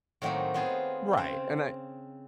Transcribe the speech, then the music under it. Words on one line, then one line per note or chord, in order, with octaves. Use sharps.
Right, and I
A2 D#3 F#3 A#3 C4 D#4
B3 C4 F4 G#4
C#3 C4